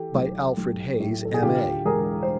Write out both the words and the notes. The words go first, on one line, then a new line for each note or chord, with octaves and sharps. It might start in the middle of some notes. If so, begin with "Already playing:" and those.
By Alfred Hayes, M.A.
Already playing: E3 G4 A4
B1
B1
A2
A4
G#4
D3 F4 G4
E1 G#4 A#4
C5